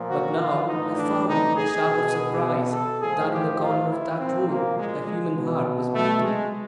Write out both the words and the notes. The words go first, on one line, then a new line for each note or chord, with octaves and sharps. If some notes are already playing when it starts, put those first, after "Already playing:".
But now I found, with a shock of surprise, that in the corner of that room a human heart was beating.
Already playing: A#2 F3
F#4
F4
A2 E3 D#4
D4
D#4
G#4
B2
A4
A2 F3 G#4
G4
F4
E4
A#2 F3 C4
A#3
G#3
G#3
B2
A3
G#3